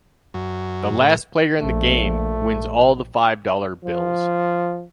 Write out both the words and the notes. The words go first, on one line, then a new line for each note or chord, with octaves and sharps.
The last player in the game wins all the five dollar bills.
F#2
A2
A#1 A3
F3